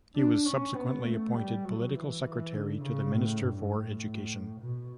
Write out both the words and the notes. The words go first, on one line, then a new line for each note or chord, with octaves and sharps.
He was subsequently appointed political secretary to the Minister for Education.
D4
C#4
B3
A3
G3
F#3
E3
E3
D3
C#3
A2
G2
A2
B2